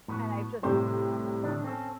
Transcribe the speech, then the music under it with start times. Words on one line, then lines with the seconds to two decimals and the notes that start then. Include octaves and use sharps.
and I've just
0.08 A2 B3 F#4
0.63 A2 C3 G3 C5
1.44 D3 D#3 D4
1.64 C4 C#4 A4